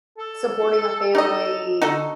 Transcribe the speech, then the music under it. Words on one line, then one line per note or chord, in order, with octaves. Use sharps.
supporting a family,
A4
D#4 A4 D#5
D3 D#4 F#4 A4